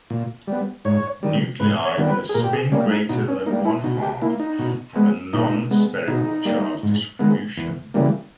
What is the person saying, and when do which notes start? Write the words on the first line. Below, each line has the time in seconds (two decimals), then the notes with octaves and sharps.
Nuclei with a spin greater than one-half have a non spherical charge distribution.
0.10 A#2
0.47 G3 B3
0.85 G#2 C#5
1.23 D#3 G3
1.60 G#2 B4
1.85 C#5
1.98 D#3 G3 B3
2.10 B4
2.29 G#4
2.34 A#2 A#4
2.44 G4
2.53 G#4
2.72 G3 A#3 C#4
2.90 D#4
3.09 B2 D#4
3.28 C#4
3.46 G3 A#3 D#4
3.65 E4
3.84 B2 D#4
4.03 G4
4.22 A#3 E4
4.40 D#4
4.59 B2
4.96 G#3 B3
5.33 A#2 D#4
5.71 G#3 B3
6.08 B2 D#4
6.45 G3 A#3
6.83 G#2
7.19 D#3 G#3 B3
7.57 E2
7.94 C#3 E3 G3 A#3